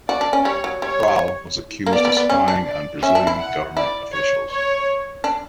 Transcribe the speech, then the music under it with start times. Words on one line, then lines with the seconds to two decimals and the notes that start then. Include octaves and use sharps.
Kroll was accused of spying on Brazilian government officials.
0.09 F#4 D5
0.21 D4
0.33 C#4
0.45 G3 C#5
0.64 F#3
0.82 G3 C#5
1.86 A#3
1.92 B3 D5
2.05 B3
2.17 B3
2.30 C#4
2.48 D4
2.66 D5
3.03 C#4 E5
3.15 D4
3.27 E4
3.39 F#5
3.77 E4 D5
4.12 C#5
4.50 C#5
5.24 D4